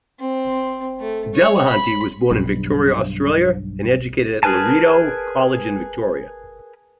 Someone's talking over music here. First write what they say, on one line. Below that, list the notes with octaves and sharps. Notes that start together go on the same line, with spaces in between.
Delahunty was born in Victoria, Australia and educated at Loreto College, in Victoria.
C4
A3
C#5
B5
B1 G2
G#4 A#4 B4 G#5 A5